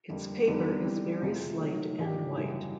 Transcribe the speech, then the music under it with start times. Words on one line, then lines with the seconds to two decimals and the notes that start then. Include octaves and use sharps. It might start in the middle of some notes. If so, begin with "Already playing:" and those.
Its paper is very slight and white.
0.10 F2 D3 G3 A#3
0.47 F2 D3 G3 B3 D#4
0.84 E3 G3 C4
1.21 F2 C3 F3 G#3
1.60 C3 D#3 F#3 A3
1.96 G#2 F3 A#3 D4 G4
2.34 F#2 C#3 E3 G3